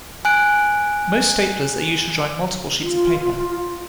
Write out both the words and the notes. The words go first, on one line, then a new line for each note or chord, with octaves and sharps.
Most staplers are used to join multiple sheets of paper.
G#5 F#6 D7
F4